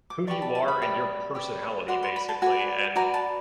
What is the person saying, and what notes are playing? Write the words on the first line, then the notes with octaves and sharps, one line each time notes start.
who you are and your personality, basically, and
D6
G4 B4 D5 C#6
A5
A5
B5
G4 B4 D5
G4 B4 D5
F#4 B4 D5 C6
C6
B5
A5
F#4 B4 D5 G#5
F#4 B4 D5 A#5
A5